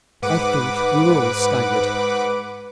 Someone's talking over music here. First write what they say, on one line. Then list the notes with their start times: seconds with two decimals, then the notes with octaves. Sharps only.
I think we were all staggered.
0.22 G#2 B4 F#5 D6